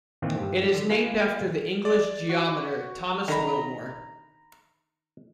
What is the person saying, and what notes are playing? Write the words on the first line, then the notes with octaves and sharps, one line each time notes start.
It is named after the English geometer Thomas Willmore.
A#2 D#3 E3 C4 F4
G2 G4
D3
A#3 F4 B4 F5 G#5
D5
F#4
D3 D#3 A#5 B5